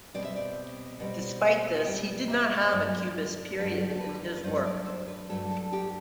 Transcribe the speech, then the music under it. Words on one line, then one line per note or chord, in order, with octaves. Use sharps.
Despite this, he did not have a Cubist period in his work.
B2 G3 C4 D5
E5
D5
B2 G3 C4
B2 G3 C4 G5
E5
C5
G2 F#3 A3 D5
G2 F#3 A3 B4
F#4
G4
A4
B4
B4
G2 F#3 A3 C5
D5
C5
B4
G2 F#3 A3 A4
A4
G4